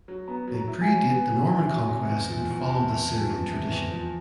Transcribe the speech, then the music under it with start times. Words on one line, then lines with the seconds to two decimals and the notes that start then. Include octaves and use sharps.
They predate the Norman conquest and follow the Syrian tradition.
0.08 F#3
0.28 B3 A#5
0.47 F#3
0.55 A#5
0.68 E4
0.82 G#5
0.88 F#3
1.09 B3
1.29 F#3
1.49 E4
1.70 F#3
1.89 C3
2.10 E2
2.30 F3
2.51 E2
2.70 C3 A5
2.91 E2
3.11 F3
3.31 E2
3.51 C3
3.72 E2
3.91 F3